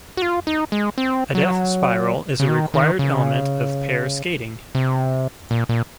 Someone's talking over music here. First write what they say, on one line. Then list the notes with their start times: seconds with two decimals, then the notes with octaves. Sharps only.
A death spiral is a required element of pair skating.
0.17 F#4
0.22 F4
0.47 D#4
0.72 G#3
0.98 C4
1.35 F#3
2.40 C#3
2.49 D#3
2.74 D#3
2.99 C#3
4.75 C3
5.51 A#2
5.69 A#2